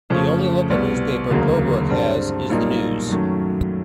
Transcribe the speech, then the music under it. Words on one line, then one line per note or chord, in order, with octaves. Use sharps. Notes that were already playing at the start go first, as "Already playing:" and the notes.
The only local newspaper Purbrook has is "The News".
F2 C#3 F3 A3 C#4
C2 B2 G3 B3
E1 D2 C#3 F#3 A#3
G2 D3 G3 C4
B1 A#2 G3 A#3 D#4
F#2 D#3 F#3 A3 C#4